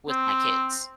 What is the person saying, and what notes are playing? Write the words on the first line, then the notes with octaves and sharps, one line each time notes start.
with my kids."
C4